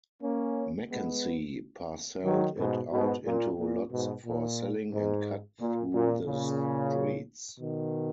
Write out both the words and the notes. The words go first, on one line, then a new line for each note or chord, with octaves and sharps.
Mackenzie parcelled it out into lots for selling and cut through the streets.
A#3 C#4
G#3 B3
D#3 F#3
G#2 B2
G#2 B2
A#2
A#2
G#2 B2
A#2
G#2
A#2
A#2
A#2 C#3
B2 D#3